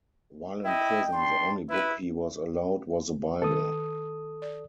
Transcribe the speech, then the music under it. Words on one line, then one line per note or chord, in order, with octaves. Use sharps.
While in prison the only book he was allowed was the Bible.
E4 D#5 G5
D4 C6
E4 B4
D#3 A4 D#6
D5